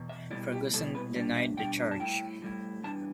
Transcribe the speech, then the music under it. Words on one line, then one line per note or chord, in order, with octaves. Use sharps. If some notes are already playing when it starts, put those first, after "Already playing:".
Ferguson denied the charge.
Already playing: E2 B2
E5
B2 G3 B3 E4 D5
G4
B2 G3 B3 E4 A4
B4
B2 G3 D4 D5
E5
B2 G3 D4 G5
A5
A2 G3 E4 G5
A2 G3 E4
E2 E3 G3 D4 A5